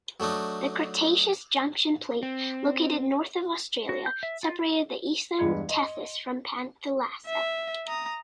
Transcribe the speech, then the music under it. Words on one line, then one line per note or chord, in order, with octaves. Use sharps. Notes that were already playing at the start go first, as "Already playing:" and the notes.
The Cretaceous Junction Plate, located north of Australia, separated the eastern Tethys from Panthalassa.
F#3 A3 D4 D#4
C4
F#4
G6
E5
F4
E2 G2 G#3 B5 G#6 C#7
D#5 C6
E5
A#5 D#6